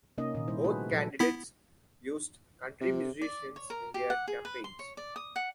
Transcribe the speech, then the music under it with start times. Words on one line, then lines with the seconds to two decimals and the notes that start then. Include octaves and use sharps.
Both candidates used country musicians in their campaigns.
0.18 C3 A#3 C#4 D#4 D#5
0.35 A#2 D#3
0.48 G3 A#3 E4 C5
0.64 A3 F#4 G#4 A4 B4 C5
0.92 A#2 F3 F#3 A4
1.19 B3 E4 B6
2.81 C3
3.22 D5
3.56 C#5
3.70 A#4
3.94 G4
4.10 F#5
4.28 G#4
4.45 B4
4.64 C6
4.79 C#5
4.97 D5
5.16 D#6
5.36 F#5